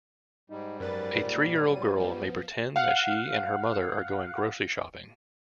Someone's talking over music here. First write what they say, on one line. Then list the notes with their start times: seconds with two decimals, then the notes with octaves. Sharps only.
A three-year-old girl may pretend that she and her mother are going grocery shopping.
0.50 G#2 G3 D#4
0.80 F#2 A#4 B4 D5 A6
1.24 A#2
1.64 F#3 D#7
2.00 F3 B3
2.76 F5 F#5